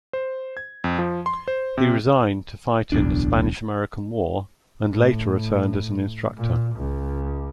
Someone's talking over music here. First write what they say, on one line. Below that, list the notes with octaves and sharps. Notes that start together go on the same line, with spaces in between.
He resigned to fight in the Spanish-American War and later returned as an instructor.
C5
G#6
F2
F3
C6
C5
C3
D1 B1 E2 D4
A2
A#2
C#2